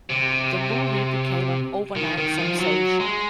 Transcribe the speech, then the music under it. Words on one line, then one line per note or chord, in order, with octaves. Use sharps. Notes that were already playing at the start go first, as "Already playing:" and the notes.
The movie became an "overnight sensation".
C3
D#3
D#3
F3
F#3
G#3